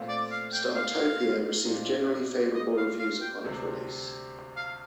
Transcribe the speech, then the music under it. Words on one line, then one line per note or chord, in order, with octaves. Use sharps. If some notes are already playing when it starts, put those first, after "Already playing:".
"Startopia" received generally favorable reviews upon its release.
Already playing: A#2 A3 C4 F4
D5
F5
G5
F5
A#2 G3 C4 D#4 G4
D#5
F5
F5
G5
D2 C3 G3 C4
F5